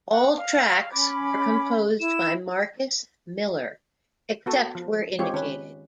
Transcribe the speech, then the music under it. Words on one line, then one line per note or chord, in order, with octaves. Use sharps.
All tracks were composed by Marcus Miller, except where indicated.
F#5
F5
C#4 B5 D6
E4 E7
B3 F#4 A4
F3
G#3 C4 F4 G4 C#5
D#3 C#4 B4